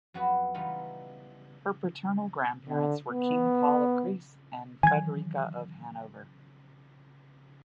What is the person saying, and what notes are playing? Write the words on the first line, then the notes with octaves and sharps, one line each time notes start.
Her paternal grandparents were King Paul of Greece and Frederika of Hanover.
F2 F#3 B3 F#4 G#4 B4
E3 G3 B3 D#4 F4
D3
B3
D#3 E3 F#3 G#5 G#6